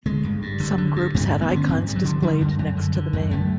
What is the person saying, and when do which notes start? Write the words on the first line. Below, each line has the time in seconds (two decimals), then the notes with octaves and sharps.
Some groups had icons displayed next to the name.
0.06 D3 G#3
0.24 G2
0.42 G2
0.60 D3
0.78 D3
0.96 G2
1.14 G2 A3
1.32 D3
1.41 B3
1.50 D3
1.56 C#4
1.68 G2 C4
1.86 G2
1.95 F#3
2.04 D3
2.22 D3 G3
2.41 F#2
2.59 F#2
2.77 D3
2.95 D3
3.13 F#2
3.31 F#2 A3